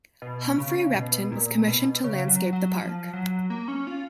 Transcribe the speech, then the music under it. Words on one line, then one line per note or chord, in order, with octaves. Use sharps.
Humphry Repton was commissioned to landscape the park.
B2
C#3
B2
A#2
B2
C#3
F#3
F#3
F3
F#3
A#3
C#4
F4